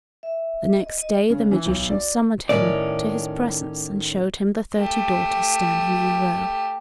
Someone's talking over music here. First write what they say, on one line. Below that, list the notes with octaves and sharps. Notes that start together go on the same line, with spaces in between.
The next day the magician summoned him to his presence, and showed him the thirty daughters standing in a row.
E5
D#5
D#5
C#3
E3
B1
D5
A2 D#3 C#4 D5
A3 G4